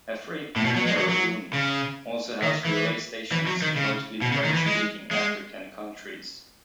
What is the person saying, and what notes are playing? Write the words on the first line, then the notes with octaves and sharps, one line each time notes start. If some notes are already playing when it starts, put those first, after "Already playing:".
Afrique Numero Un also has relay stations in mostly French-speaking African countries.
A2
B2
F#3
G#3
F#3
F#3
C#3
D#3
E3
E3
F#3
D#3
C#3
B2
C#3
D#3
E3
G#3
G#3